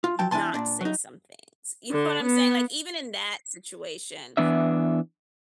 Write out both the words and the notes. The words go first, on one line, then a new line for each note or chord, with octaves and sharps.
not say some things, you know what I'm saying? Like, even in that situation,
F4
F3 F#3 G5 A5
E2 D4 E4 G#5 A5 C6
A#2 D4
F#3 D#4
D3
B3
E3 B3 D4 E5